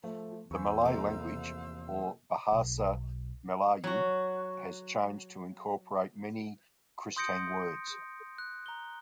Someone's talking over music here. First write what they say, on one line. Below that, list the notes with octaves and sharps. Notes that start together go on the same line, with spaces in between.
The Malay language, or "Bahasa Melayu", has changed to incorporate many Kristang words.
F3 A3 E5
E2 C5 F5 G#5 B5 C#6 E6
A#1 C3 A4 A#5 D6
B1
F#3 F#4
C6 D#6 G6 A#6 C#7 D7
F#6
A#5 G7